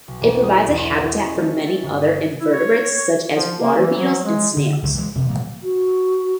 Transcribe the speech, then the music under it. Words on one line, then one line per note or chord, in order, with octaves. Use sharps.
It provides a habitat for many other invertebrates such as water beetles and snails.
B1
E1
D#6
E2
C4
D#5
C#4
A3
A6
G1
D#6
E4
C#5
F3
A#3
E3
F#3
G#3
D3
C#2 D3 F#3
E3 G#3
E1 C3
A#2 F#3 A#3
F#4